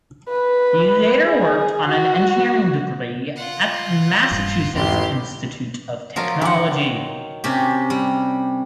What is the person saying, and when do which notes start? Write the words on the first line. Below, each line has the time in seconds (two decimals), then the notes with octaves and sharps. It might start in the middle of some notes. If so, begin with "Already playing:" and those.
He later worked on an engineering degree at Massachusetts Institute of Technology.
0.29 B4
1.27 G#4
1.86 F#4
3.36 F4 F#5
4.31 D#1 G2
4.74 A1 E2 G#2 B2 G4 C6
6.16 F3 F#3 A#4
6.41 D#3 F#5
7.44 C3 C#4 G4
7.90 G3